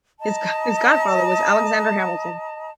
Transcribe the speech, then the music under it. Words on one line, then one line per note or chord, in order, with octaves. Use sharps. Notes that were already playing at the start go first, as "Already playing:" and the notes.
His godfather was Alexander Hamilton.
D#5 A5 A#5